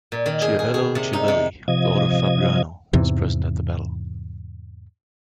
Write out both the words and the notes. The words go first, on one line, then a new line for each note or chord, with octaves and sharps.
Chiavello Chiavelli, lord of Fabriano, was present at the battle.
A#2
D#3
G#4
G#4
G#4
C3
D#4
C3
C3 F3 D#5 G#6
E2 G#2 C3 E3